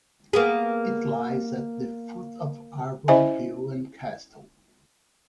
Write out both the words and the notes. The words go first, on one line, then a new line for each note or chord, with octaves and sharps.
It lies at the foot of Aarburg hill and castle.
A#3 B3 G#4
C#4 E4 C5 D#5 E5 G#5